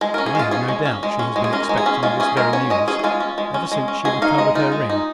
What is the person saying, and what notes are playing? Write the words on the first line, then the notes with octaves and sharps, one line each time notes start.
I have no doubt she has been expecting this very news ever since she recovered her ring.
G#3
C#4 A#4
G#4
G#3 F4
C#4 G#4
G#3
C#4
G#3
C#4
G#3
G#4
C#4 A#4
G#3
G#4
C#4
G#3 F4
C#4 G#4
G#3 A#4
C#4 C#5
G#3 D#5
C#4 G#4
G#4
G#3 F4
C#4
G#3
C#4
G#3
C#4
G#3 G#4
D#4 F5
G#3 D#5
D#4 F4
G#3
D#4